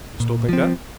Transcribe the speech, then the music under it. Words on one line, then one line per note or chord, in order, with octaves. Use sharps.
You still think that?
A#2
F3 C4